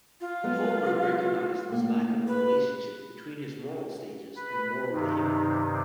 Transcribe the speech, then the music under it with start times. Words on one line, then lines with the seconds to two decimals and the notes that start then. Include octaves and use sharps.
Kohlberg recognized this lack of a relationship between his moral stages and moral behavior.
0.20 F4
0.44 F#3 G#3 B3
1.69 A2 A#3
2.27 B4
4.36 B4 B5
4.92 G2 C3 D#3 D#4